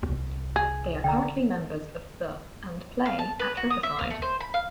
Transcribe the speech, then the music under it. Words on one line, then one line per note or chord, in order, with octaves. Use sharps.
They are currently members of the and play at Riverside.
C2
G#4
D3 G5 A#5
F5
A5
B4
F#4
D#6
E5
F5
A3
C5
B5
F5